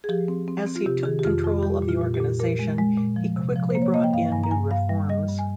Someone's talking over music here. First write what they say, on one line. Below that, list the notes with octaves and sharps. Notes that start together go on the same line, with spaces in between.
As he took control of the organization, he quickly brought in new reforms.
G#4
F3 G4
C4
C4
C4
F4
C3 G4
D#3 G#4
G4
F2 F4
F2 F4
G3 G4
A#2
F4
A#2
G4
A#2
A#2 A#4
G#3
G#3
A#2
F3
C3
F3
A#3 C5
C#5
A#3 D#5
G5
G2 F5
G2 G#5
A#5
G2 G#5
G2 F5
G3
G3 D#5
G2
G#5